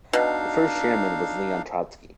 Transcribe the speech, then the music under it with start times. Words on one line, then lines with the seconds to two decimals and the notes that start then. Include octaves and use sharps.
The first Chairman was Leon Trotsky.
0.13 B2 D4 D#4 F5